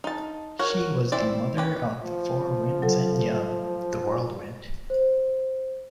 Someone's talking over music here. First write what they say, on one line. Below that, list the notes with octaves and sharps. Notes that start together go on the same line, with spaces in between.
She was the mother of the Four Winds and Yum, the whirlwind.
D#4 A5
F#4 A#4 C#5
C4 E4 D5
C#4 G4 B4
F3
F#3 A4
C5